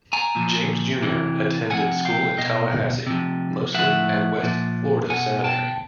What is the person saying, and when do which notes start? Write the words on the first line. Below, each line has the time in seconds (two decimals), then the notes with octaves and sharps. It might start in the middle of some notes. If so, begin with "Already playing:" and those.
James Junior attended school in Tallahassee, mostly at West Florida Seminary.
0.13 G#5 A#5
0.35 A#2 F3
1.03 C3 E3
1.70 C3 F3 F#5 G#5
2.05 F5 G5
2.38 B2 D#5 F5
3.07 C3 F3
3.74 A2 F3 E5 F#5
4.43 A#2 F3
5.10 B2 F#5 G#5
5.44 G5 A5